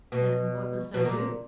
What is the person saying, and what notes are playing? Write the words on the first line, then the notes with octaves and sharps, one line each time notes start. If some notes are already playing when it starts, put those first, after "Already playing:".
'Then what must I do?'
B2
B2
A#2